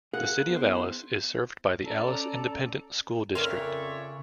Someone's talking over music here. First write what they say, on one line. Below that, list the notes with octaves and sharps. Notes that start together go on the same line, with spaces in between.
The City of Alice is served by the Alice Independent School District.
G#4 A#4 F5 F#5
B3 E4 C5
C#4 A4 D5 A#5
F2 C#3 A#4 C#5 D5 E5 F5 C6